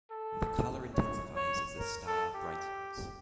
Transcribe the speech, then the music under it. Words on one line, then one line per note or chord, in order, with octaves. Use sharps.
The color intensifies as the star brightens.
A4
C#5
C#5
A#4
A4
G4